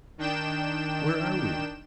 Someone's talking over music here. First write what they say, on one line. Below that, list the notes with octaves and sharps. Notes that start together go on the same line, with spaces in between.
"Where are we?"
D#3 D4 G5 E7